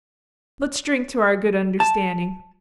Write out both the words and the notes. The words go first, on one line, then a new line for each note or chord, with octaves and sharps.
Let's drink to our good understanding.
A5